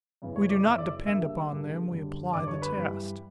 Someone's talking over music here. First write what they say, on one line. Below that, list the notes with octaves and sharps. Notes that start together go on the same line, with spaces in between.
We do not depend upon them--we apply the test.
F#2 C#3 E3 B3
C#5 C#6
D5 D6
F#2 C#3 E3 B3 E5 E6
D5 D6
C#3 G3 A#3 D4 E5 E6
C#3 G3 A#3 D4
F#2 D3 G3
F#2 D3 G3 D5 D6
C#5 C#6
B4 B5
G2 E3 G3